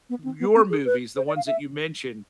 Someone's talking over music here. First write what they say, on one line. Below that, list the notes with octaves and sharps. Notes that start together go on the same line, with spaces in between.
your movies, the ones that you mentioned,
B3
C4
B3
C4
G#4
B4
C5
D5
F5
E5